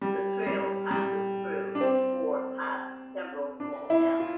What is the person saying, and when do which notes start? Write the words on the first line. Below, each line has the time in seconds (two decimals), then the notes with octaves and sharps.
The trail passes through or past several small towns.
0.01 G3
0.47 G3
0.91 G3
1.75 D4
1.81 C4
3.60 D4
3.90 E4
4.20 F4